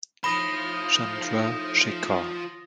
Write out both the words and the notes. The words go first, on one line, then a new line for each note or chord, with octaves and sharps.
Chandra Shekhar.
A2 F3 D#4 B5 D#6 A#6 G7